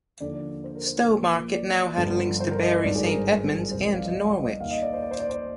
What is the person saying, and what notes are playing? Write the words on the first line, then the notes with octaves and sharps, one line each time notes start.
Stowmarket now had links to Bury Saint Edmunds and Norwich.
D#2 D3 F3 D5
C5
A#4
C5
A#4
A#1 A#2 F3
D5
G1 G2 F3
C5
A#4
D#5
D#5
G#1 G2 D#3 D5
G#4
A#4
C5
C5
C2 C3 F3 C5
D5
F5
D#5
D5
D#5
D#2 D#3 F5
D#5
D5
C5
D5
C5
D5
C5